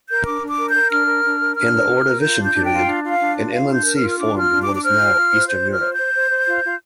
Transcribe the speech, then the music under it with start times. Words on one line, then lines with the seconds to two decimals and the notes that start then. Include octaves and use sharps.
In the Ordovician period, an inland sea formed in what is now Eastern Europe.
0.09 A#4 G6
0.26 D4 D6
0.42 D4
0.48 D6
0.58 A#4
0.69 G6
0.75 A#4
0.91 D4 F6
1.07 A#4
1.23 D4
1.41 A#4
1.56 D4 F6
1.73 A#4
1.89 A#4
2.05 A#4
2.22 F4 G6
2.38 D4
2.44 G6
2.54 D4
2.65 G5
2.71 F4
2.87 D4
3.04 F4
3.10 F5
3.20 D4
3.37 F4
3.52 F4 F5
3.69 D4
3.75 G6
3.85 A#4
3.96 F6
4.02 F4
4.10 F6
4.18 D4 D6
4.34 F4
4.39 F6
4.51 D4
4.62 D6
4.67 D4
4.75 D6
4.83 C5 F6
4.99 F4
5.16 F4
5.32 C5
5.48 C5 G6
5.65 F4
5.71 F6
5.81 C5
5.92 G6
5.98 C5
6.14 C5
6.30 C5
6.47 F4
6.64 F4